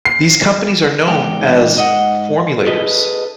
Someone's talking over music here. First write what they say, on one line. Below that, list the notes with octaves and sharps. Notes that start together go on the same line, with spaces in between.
These companies are known as "formulators".
C7
E2 G#2 G4
G#2 D#5 F#5
G#4 A4 B4 D#5